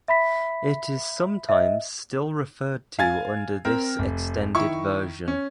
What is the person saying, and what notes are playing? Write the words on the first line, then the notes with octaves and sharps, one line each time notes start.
It is sometimes still referred to under this extended version.
E5 B5 B6
D#5 E5
F5 G#5 G#6 A6
C4 A#4
F1
D#3 E4 C#6
C#4